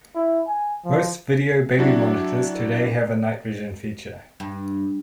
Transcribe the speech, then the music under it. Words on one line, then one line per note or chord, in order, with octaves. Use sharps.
Most video baby monitors today have a night vision feature.
E4
G#5
F3
F#3 D4 E4 F#4 G4
G2